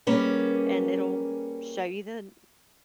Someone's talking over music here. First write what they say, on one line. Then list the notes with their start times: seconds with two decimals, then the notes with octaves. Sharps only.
and it'll show you the
0.07 G3 A#3 C#4 G#4 B4